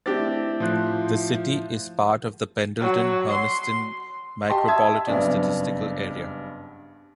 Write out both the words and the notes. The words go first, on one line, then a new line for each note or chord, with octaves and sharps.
The city is part of the Pendleton-Hermiston Micropolitan Statistical Area.
A3 C4 D4 E4 G4 E5 A6
A2 F3 C5 F#6
F#3
C6
G4 D#5 G5 A5 C6
E5 A5 D#6 E6 G#6
F#1 G2 B3 C4 D5